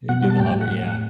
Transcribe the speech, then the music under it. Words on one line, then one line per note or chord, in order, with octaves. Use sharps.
And do the hover, yeah.
B2 F#5
G3
A5
A2 G5
A2
F#5
A2
F#5
A2